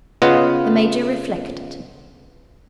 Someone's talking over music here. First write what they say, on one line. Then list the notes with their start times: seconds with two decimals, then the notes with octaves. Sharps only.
The Major reflected.
0.22 C#3 B3 F4 D#5 F#5